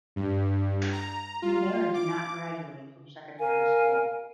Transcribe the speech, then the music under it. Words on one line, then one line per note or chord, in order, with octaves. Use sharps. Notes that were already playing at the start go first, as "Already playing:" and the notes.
Nomura did not graduate from secondary school.
G2
A#5
F4
D6
A#4 F5 G#5